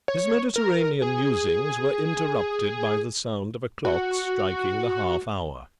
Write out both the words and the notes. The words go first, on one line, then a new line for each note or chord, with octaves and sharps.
His Mediterranean musings were interrupted by the sound of a clock striking the half-hour.
C#5
A#4
G#4
F#4